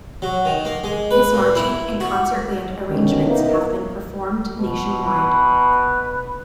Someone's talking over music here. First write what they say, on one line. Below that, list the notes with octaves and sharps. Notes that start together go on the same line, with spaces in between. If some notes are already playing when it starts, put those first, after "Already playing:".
His marching and concert band arrangements have been performed nationwide.
F#3
D#3
A#3
G#3
B4
A#2
E4
F#4
B2 D3 D#3 C#4
A#3 B3 D#4 E4 A#4
B2
B4